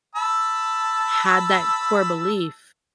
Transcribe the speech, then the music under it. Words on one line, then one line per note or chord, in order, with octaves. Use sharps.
had that core belief,
A5 B5 E6